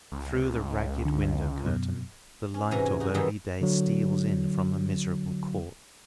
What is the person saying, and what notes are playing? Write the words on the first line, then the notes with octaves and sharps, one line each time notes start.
Through the ragged window-curtain, the light of early day steals in from a miserable court.
C#2
D3
F#2 B2
C#4
G#2 C3 E3 C#4 F#4 A#5
G#5
D#4 F#4
D#3 E3 F#3 G3 D#4 E4
D3 F#3